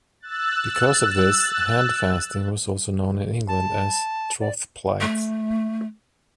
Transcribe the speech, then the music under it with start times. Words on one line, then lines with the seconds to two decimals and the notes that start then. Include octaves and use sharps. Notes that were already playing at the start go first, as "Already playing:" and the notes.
Because of this, handfasting was also known in England as "troth-plight".
0.20 E6 F#6 A6
3.48 A5
4.40 D5
5.01 A3